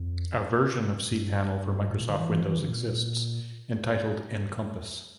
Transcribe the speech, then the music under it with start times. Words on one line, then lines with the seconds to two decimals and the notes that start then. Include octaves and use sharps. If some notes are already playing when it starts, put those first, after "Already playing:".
A version of cPanel for Microsoft Windows exists, titled Enkompass.
Already playing: F2
1.11 G2
1.90 A2
2.01 A#2
2.09 D3
2.19 E3
2.30 E3
2.39 F3
2.50 E3
2.59 D3
2.68 A#2